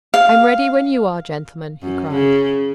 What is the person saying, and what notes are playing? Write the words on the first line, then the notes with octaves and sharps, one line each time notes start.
"I'm ready when you are, gentlemen," he cried.
F5
F#2
C#3